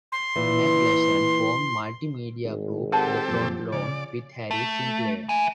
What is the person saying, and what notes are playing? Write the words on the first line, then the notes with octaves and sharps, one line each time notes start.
McGlashan formed multi-media group The Front Lawn with Harry Sinclair.
C6
A#2 E3
G#1
C4 G4 A4 A#4 F#5 A5
F#2 A#2 F3
C#3 C#5 D5
A3
E5 G#5